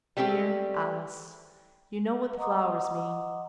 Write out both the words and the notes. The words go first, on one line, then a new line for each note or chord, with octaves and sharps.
DEAR ALICE, You know what the flowers mean.
G3 A3 C4 G4
D#5 F#5 A#5 C6 D6 D#6